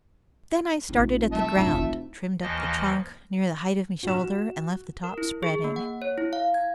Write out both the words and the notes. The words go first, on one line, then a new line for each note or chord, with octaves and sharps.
Then I started at the ground, trimmed up the trunk near the height of me shoulder, and left the top spreading.
F1 A#1 D#4
G3 E5 A5
F1 G2 D4
E4
D#2 E3 F3 D#5
F#4 E7
A#4
E4
G#4
A#3
F#5
C#5
E4
F5
G#6